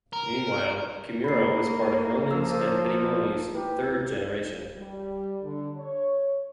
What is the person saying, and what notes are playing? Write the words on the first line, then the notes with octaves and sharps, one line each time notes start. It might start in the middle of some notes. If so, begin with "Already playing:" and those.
Meanwhile, Kimura was part of Romans and Petitmoni's third generation.
A#4
A#3 B5 C7
F3 E6
E4 G4 B4
G3
D3
C#5